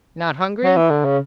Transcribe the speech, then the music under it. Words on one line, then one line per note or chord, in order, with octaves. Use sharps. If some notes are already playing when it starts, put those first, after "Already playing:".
"Not hungry?"
F#3
E3
D3
C#3